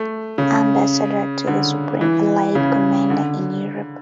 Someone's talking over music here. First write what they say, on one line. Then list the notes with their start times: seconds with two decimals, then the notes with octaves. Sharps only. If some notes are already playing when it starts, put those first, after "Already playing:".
Ambassador to the Supreme Allied Commander in Europe.
Already playing: A3
0.38 C#3
1.47 D3
2.01 E3
2.55 C#3
3.10 D3